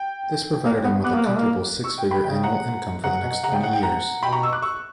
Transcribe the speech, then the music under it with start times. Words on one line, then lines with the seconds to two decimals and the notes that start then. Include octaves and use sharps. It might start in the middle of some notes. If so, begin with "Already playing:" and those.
This provided him with a comfortable six-figure annual income for the next twenty years.
Already playing: G5
0.65 A#3
0.84 B3
1.04 B3 D6 F#6
1.15 A#3
1.27 G3
1.37 A#3
1.84 C#6 E6
1.98 G5
2.11 G5 B5
2.24 C#3 G5
2.43 F#5 A#5
3.04 C#3 F#5 A#5
3.23 B2
3.43 C#3 F#5 A#5
3.53 G5
3.63 F#5
3.73 G5
3.83 F#5 A#5
4.22 B2 G5 B5
4.32 A#5 C#6
4.43 C#6 E6
4.52 D6 F#6
4.62 C#6 E6